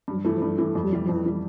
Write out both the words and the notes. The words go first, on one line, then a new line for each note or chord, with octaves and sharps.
Mhm, mhm.
G2
E3 A3
G2
E3 A3
F2
E3 G3
F2
E3 G3